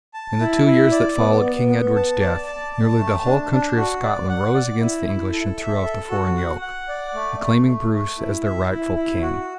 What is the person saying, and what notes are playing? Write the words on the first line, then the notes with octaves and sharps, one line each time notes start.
In the two years that followed King Edward's death nearly the whole country of Scotland rose against the English and threw off the foreign yoke, acclaiming Bruce as their rightful king.
A5
E4
E4
D5
B3
B3
B3
A5
D5
A5
A5
A3
D4
D4
F#4
D5
F#5
D5
E4
E4
A4
E5
A4
F#4
F#5
F#5
D5
A3
A3
A3
A3
E4
E5
E4
E4
F#4